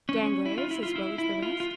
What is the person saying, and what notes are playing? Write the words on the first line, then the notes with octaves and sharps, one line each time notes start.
"Danglars, as well as the rest?"
C#4
E4
F4
E4
F4
E4
E4
F4
F4